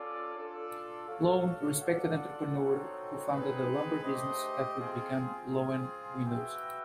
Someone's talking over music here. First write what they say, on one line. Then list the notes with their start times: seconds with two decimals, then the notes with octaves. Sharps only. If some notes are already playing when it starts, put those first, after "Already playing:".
Loewen, a respected entrepreneur who founded a lumber business that would become Loewen Windows.
Already playing: C#4 F4 A4 D5
0.35 D4 F4 A4 D5
1.08 F#4 A4 C#5 F5
1.81 F4 A4 D5 F#5
2.56 C4 D#4 F#4 A4 C#5
3.30 C4 D#4 G#4 B4
4.03 A3 D4 G4 C5 D#5
4.77 C4 F4 G#4
5.51 C4 F4 G#4
6.24 F#4 B4 E5 G5